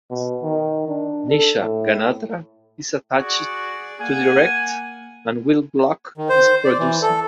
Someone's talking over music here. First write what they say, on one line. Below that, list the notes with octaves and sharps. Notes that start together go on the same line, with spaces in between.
Nisha Ganatra is attached to direct and Will Gluck is producing.
B2
D#3
D4
A4
A2
F#4 G#4 D5
A#3 F#5 G#5
D#3
C5
D5
E3
A4